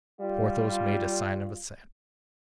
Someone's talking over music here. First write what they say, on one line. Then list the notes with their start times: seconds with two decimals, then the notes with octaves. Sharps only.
Porthos made a sign of assent.
0.21 G3 F4